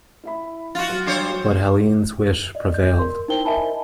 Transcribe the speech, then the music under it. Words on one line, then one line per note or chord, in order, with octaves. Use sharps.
But Helene's wish prevailed.
E4 E5 B5
F4 F#4
F#3
G2 C5 C#5
F#3
D5 D#5
G6
A#4 C6
D#4 E4 A#4 C5 G5 G7
A#4 D#5 E5 G#5 A5 B5